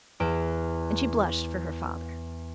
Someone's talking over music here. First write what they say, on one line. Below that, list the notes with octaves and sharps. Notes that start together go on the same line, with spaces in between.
And she blushed for her father.
E2 D7 E7